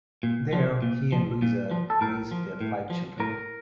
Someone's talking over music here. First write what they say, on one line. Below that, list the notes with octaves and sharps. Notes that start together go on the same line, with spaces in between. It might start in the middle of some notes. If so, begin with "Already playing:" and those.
There he and Louisa raised their five children.
A#2
F3
A#2
F3
A#2
F3
A4
A2 A#4
F3
A2
F3
A2 A#4